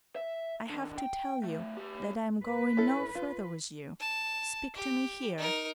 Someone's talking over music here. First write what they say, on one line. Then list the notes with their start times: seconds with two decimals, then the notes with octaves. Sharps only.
I have to tell you that I am going no further with you. Speak to me here.
0.16 E5
0.70 D3 D#3
0.98 G5
1.44 B1 A3
1.77 A3 G4
2.44 B4
2.77 C#4 E4 A4
3.15 F4
4.00 A5
4.75 G4
5.38 D#4 A#4